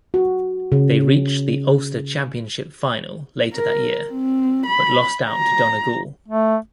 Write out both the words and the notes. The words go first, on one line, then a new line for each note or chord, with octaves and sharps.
They reached the Ulster Championship final later that year, but lost out to Donegal.
F#4
C#3
A#4
C4
B5
A#5
A3